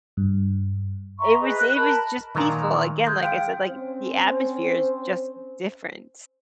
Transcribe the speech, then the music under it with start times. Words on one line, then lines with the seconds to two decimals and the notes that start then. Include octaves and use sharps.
it was it was just peaceful again, like I said, like, the atmosphere is just different,
0.17 G2
1.19 E5 A#5 C6 C#6
1.40 G#4 B4 D#5
1.57 F#6
1.76 A#4 A5 B5
2.35 A#2 D#3 F3 F#3 A#5
3.07 G#3 G6
3.23 F5 G5 D7
3.70 C4 C#4 C5